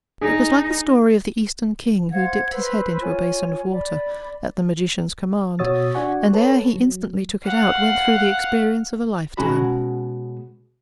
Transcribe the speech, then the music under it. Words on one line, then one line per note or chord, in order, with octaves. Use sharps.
It was like the story of the eastern king, who dipped his head into a basin of water, at the magician's command, and ere he instantly took it out went through the experience of a lifetime.
D#4 G#4
C5 F5 F#5 G#6
B4 C5 B5 E6
F4 C#5 G#5
D5 B5
B2 F#4 C#5 D#6 E6 A6
D4 F#4 D5 F#5 G#5 C#6
A4 B4 C#5 A5
F#3
F5 F#5
B2 G#3 C#4 F#4 A#5 B5